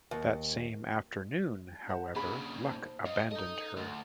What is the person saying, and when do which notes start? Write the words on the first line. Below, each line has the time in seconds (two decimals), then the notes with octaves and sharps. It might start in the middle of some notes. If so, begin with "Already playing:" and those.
That same afternoon, however, luck abandoned her.
0.11 D#2
1.89 C5 F#5 A5
2.15 A#2 C#3 D4 G#4 B5
2.64 D#4 C5 A5
3.06 C#5 D#5 F5
3.31 D#4 A4 D#5
3.76 D2